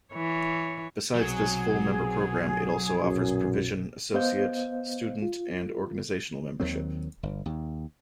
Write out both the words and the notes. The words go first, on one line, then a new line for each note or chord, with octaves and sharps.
Besides this Full Member program, it also offers Provision, Associate, Student and Organizational Membership.
E3 C#5
B1 C3 F#3 G#4
B1 F#2 A#2
B3 C5 D#5 F5 G6
F4
D#2 D#3 F#3 C4
G1
D#2